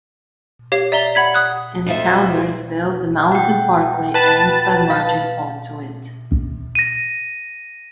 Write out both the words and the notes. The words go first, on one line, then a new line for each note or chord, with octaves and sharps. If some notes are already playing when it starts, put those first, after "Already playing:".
In Salyersville, the Mountain Parkway ends by merging onto it.
G4 C#5 F5
D5 E5 A#5 G7
F#5 B5 G#6 B6
D#6 F#6
F2 D#4 F4 C5 E5
F#5 G5
B4 A5 A6
F5
A#6 D#7